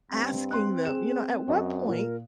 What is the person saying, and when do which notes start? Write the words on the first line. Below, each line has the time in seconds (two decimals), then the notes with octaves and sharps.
asking them, you know, "At what point
0.11 G2 C4
0.51 C6 F#6
0.85 G#4 E7
1.48 F#2 C#5 D#5
1.88 A#2 A#4